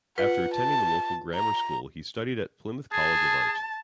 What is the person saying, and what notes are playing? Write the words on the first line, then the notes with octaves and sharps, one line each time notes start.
After attending the local grammar school he studied at Plymouth College of Art.
F4 B4 F#5
A5
A#5
G#4 A5